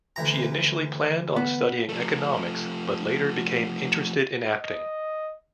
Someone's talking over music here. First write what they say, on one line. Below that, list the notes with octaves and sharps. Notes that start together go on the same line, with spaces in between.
She initially planned on studying economics but later became interested in acting.
D2 E3 A#5
B3
F3 A3
D#5